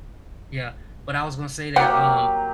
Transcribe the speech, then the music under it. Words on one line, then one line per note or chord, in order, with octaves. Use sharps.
yeah. But I was gonna say that, um,
F#3 A#3 G4 F#5 G5